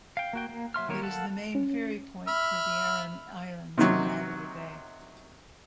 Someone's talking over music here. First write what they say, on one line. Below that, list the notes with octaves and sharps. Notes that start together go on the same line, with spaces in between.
It is the main ferry port for the Aran Islands in Galway Bay.
F5 G5
A#3 F#4 G5
A#3
F#3 E5 C6 F6
D#3 F#3 A#3 A#4 C#5
A4 F5 F#5 A5
C#4
E5 B5 F6
C3 D#3 F#3